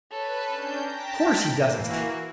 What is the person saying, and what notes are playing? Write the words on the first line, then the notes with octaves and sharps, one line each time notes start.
Of course he doesn't.
A4 B4 C#5
C#4 D4 G6
G5 A5 A#5 B6
E3 A#3
F#4